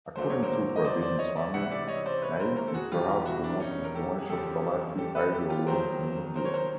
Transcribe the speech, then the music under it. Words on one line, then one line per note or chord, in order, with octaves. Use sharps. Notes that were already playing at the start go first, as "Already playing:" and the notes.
According to Praveen Swami, Naik is "perhaps the most influential Salafi ideologue in India".
D#2 D3 F#3 C5
C#5
A#4 C5
D#5
C5 D5
C5 D5
C#5 D#5
D5 E5
C#2 C3 E3 E5 F#5
D5 E5
C#5 D#5
C5 D5
B4 C#5
B4
A#4 C5
A#4 C5
A4
F#4 G#4
E1 E2 B2 G3 F4 G4
F4 G4
E4 F#4
D4 E4
C#4 D#4
A#4
G4 A4
G#4
E2 C#3 F3 G4 A4
G4 A4
A4 B4
G4 A4
F4 G4
D#2 D#3 F#3 A#4 C5
A#4 C5
C#5
A#4 C5